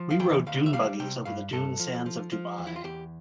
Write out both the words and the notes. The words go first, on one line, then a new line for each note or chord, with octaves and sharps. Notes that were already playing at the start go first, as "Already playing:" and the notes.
We rode dune buggies over the dune sands of Dubai.
Already playing: F3
F5
E3 G5
D2 F5
E5
G3 F5
C3 G5
G2 F5
G2 A4
F3
F3
F3
E2
E4
F4
E2 G4